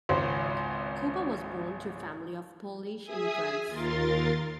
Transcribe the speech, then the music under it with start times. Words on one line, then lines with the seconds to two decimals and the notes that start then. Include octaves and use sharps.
Kopa was born to a family of Polish immigrants.
0.09 G#1 C#2 C5
3.03 G#4 E5 G#5 D#6
3.67 D#2 F4 A#4 C6 A6